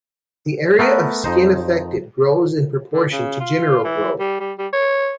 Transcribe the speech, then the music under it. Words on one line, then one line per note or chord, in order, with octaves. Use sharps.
The area of skin affected grows in proportion to general growth.
A3 B3 A#4 B4
F2 D#4 C5
D3
C#3
F4
E3
G3
G3
G3
C#5